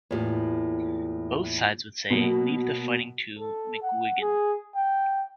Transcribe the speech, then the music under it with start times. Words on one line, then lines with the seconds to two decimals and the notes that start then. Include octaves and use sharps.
Both sides would say: 'Leave the fighting to McGuigan.
0.11 E2 A2 A#3 F4 G4
2.10 B2 F#3 A#3
3.39 A4
3.82 F#5
4.21 G#4
4.75 G5